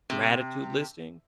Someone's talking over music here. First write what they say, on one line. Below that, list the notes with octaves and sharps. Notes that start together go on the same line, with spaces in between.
gratitude listing,
C3